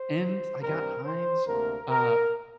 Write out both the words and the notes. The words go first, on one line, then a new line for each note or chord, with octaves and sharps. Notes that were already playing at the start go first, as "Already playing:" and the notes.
And I got hives, uh,
Already playing: C5
G2 G3 C4 A#4
C5
D2 C3 A#3 A#4
A#4